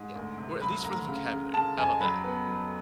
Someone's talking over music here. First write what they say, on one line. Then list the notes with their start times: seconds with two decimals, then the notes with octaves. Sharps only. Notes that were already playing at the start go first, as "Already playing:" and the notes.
Yeah, or at least for the vocabulary how about that?
Already playing: G#2
0.15 D2
0.38 C3
0.61 F#3 B5
0.85 D2 A#5
1.08 C#3
1.31 C#3
1.54 C#3 A5
1.78 F2 G#5
2.00 F#3 B5
2.24 B3
2.47 F#3